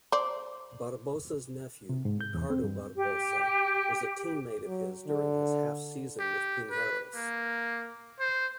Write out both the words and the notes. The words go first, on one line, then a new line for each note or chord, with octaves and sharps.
Barbosa's nephew, Ricardo Barbosa, was a teammate of his during his half-season with Pinheiros.
C5 D5
C3
G#2
G6
E2
C4
G2
G4
F#3
D3
G4
B4
A#3
C5